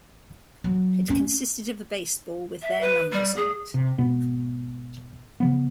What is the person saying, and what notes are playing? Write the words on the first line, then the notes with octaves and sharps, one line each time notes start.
It consisted of a baseball with their numbers on it.
F#3
A3 C#4
E5
B4
G3
G#4
C3
G#1 B2 B3
C#3 F3 B3